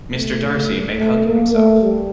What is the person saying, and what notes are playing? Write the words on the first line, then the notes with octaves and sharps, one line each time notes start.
Mr. Darcy may hug himself.
A3
A3
A#3
A3
G3